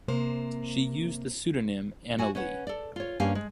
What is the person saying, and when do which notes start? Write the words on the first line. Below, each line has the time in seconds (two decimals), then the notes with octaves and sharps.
She used the pseudonym "Anna Li".
0.08 C3 A#3 C5
2.18 F#4 G#5
2.35 C#4 B4 C#5 F#5
2.67 A4 D5
2.96 F4 C#5
3.20 G2 A#3 C#4 G4 F5 G#5
3.35 G#3